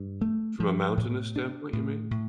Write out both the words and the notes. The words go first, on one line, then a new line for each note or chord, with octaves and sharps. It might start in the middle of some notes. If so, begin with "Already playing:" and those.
From a mountainous standpoint, you mean?
Already playing: G2
A3
F3
A2
D4
A2
A2